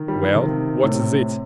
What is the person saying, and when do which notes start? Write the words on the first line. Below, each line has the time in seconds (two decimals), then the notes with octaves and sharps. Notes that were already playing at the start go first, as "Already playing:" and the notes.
"Well, what is it?"
Already playing: D#3
0.08 G3
0.23 F3
0.36 C3 D#3
0.83 A2 C3